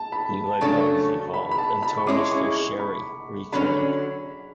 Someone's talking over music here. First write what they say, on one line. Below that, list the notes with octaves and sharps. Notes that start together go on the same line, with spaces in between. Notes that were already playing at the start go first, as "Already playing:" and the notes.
He led Rumsey Hall until Mr. Sherry returned.
Already playing: A5
B5
C#3 F#3 A3 D4 A4 C#6
B5
B5
A5
B5
C#6
G#3 C#4 E4 G#4 D6
C#6
C#6
B5
D3 F#3 C#4 B5